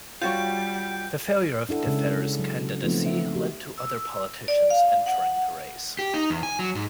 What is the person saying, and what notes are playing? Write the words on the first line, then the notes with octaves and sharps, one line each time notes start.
The failure of Defferre's candidacy led to other politicians entering the race.
G3 F4 F#4 C#5 G5 G6
D4 E4 A4 F#5
C#3 G#3 C#4
F#3
F3 A3 B3 C4 D#4 F4
E5
F#4 G4
E6
D5
F5
F#5
G4
D#4
E2
G#5
F#3
G#2